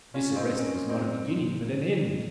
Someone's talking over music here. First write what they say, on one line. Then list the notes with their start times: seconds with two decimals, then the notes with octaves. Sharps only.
This arrest was not a beginning, but an end.
0.14 C#4 F4
0.36 C4 D#4
0.57 A#3 C#4
0.89 C4 D#4